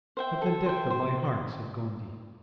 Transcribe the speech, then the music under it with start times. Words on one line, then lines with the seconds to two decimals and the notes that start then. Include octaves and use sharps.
"From the depth of my heart," said Gondy.
0.17 C5 E5 G5
0.42 A4
0.66 C5 E5 G5
0.90 C5